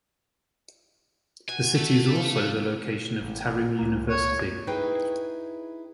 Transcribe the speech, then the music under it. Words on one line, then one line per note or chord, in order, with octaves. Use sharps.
This city is also the location of Tarim University.
F#4 G#5
A3
F4
A1
C#2 A#3
C#5
D#4 E4 G#4 B4 G5